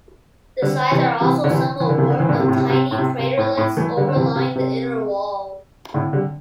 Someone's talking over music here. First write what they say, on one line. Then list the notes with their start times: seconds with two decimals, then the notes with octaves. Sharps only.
The sides are also somewhat worn, with some tiny craterlets overlying the inner wall.
0.62 D3 G3
0.91 C3 E3
1.21 C3 E3
1.44 D3
1.50 C3 E3
1.80 E3
1.89 D3
1.98 C3 E3
2.10 D3
2.20 E3
2.29 A2 D3
2.39 C3
2.48 A2
2.57 C3
2.69 C3
2.91 A2
2.98 C3
3.19 C3
3.37 A2
3.57 A2
3.77 E3 A3
3.97 D3 G3
4.08 D3
4.16 C3 E3
4.36 C3
4.56 C3
5.94 A2 D3
6.13 D3 G3